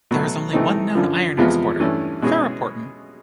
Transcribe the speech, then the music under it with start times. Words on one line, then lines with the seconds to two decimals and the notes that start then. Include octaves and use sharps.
There is only one known iron exporter, ferroportin.
0.11 B2 F#3 A3
0.53 C3 E3 A3 C4 D#4
0.95 F#2 D3 F3
1.38 E2 C3 F3 G#3 B3
1.80 G2 E3 A3 C#4
2.22 B2 G#3 C#4 E4 G#4